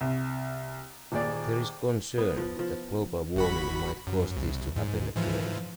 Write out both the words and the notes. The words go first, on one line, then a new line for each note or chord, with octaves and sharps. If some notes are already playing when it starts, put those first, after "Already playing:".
There is concern that global warming might cause this to happen again.
C2
D#1 D#2 G#4 D5
B3
F3
F3
G1 F#4 B5
F#2
C2
G#2
G#2 E3 F3